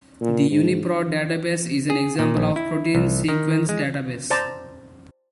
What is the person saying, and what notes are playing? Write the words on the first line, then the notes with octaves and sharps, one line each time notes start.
The UniProt database is an example of a protein sequence database.
A#2
G#2
G#4
A#2
A#1
E4
C2
D#3
G#3
C5 D5 A5 A#5